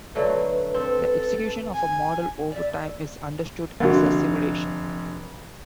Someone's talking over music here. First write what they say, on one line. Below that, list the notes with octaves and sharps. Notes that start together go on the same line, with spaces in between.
The execution of a model over time is understood as the simulation.
D3 F#3 A3 B4
C4 A4
G#5
D5 E5
F1 D3 A#3 F#4